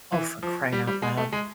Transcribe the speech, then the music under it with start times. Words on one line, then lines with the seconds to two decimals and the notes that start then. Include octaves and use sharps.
Oh, for crying out loud.
0.12 E3
0.43 F3
0.73 G3
0.87 G3
1.02 G#3
1.17 A3
1.32 G#3